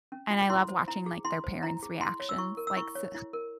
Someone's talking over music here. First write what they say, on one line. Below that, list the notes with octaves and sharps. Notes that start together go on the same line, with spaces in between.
And I love watching, like, their parents' reactions, like, s
C#4
F4
E4 C6
C5
E4 A#5
G#4
E4 C6
C5
E4 A#5
G#4
E4 C6
C#5
E6
E4 C#6
A#4
E6
E4 C#6
C#5
E4
A#4